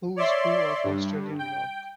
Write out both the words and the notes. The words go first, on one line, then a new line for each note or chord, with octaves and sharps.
"Who's Who of Australian Rock".
C#5 D5 E5 C6
G2
G5